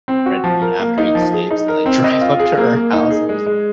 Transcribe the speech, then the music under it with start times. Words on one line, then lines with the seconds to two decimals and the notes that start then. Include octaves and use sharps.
right, you know, after he escapes, they, like, drive up to her house and just
0.08 C4
0.26 F#4
0.44 F3
0.62 A#4
0.80 A#3
0.98 D#4
1.15 F3
1.33 G#4
1.51 D#4
1.68 A#4
1.86 C4
2.04 D#5
2.21 F4
2.39 G#4
2.57 A#3
2.75 A#3
2.93 D#4
3.11 G#4
3.29 G#3
3.46 G#3